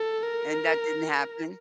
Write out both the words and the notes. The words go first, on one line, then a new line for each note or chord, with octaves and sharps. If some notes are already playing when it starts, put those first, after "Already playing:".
And that didn't happen?
Already playing: A4
A#4